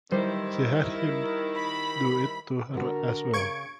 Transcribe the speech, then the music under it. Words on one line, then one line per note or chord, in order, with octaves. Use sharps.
She had him do it to her as well.
D#3 G3 E4 C5
B5
D3 F#4 A#4
C#3 C#6 G#6 D7